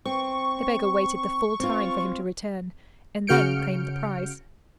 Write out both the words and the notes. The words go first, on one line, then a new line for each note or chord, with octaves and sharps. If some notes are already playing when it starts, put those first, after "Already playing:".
The beggar waited the full time for him to return; and then claimed the prize.
C4 C#6
C4 F4
C#3 F#4 F6 G6 C#7 D7